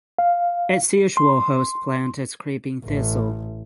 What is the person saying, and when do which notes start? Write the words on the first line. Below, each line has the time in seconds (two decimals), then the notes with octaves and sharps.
Its usual host plant is creeping thistle.
0.19 F5
1.17 C6
2.86 A1